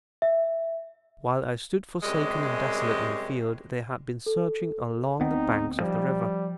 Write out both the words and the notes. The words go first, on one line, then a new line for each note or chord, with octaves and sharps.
While I stood forsaken and desolate in the field, they had been searching along the banks of the river.
E5
F#2 C3 G3 G#3
A4
D2 B3 C4 D#4
F3 G3